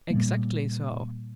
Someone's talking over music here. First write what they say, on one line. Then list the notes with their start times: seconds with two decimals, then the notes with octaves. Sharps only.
"Exactly so."
0.10 A#2 G3 A#3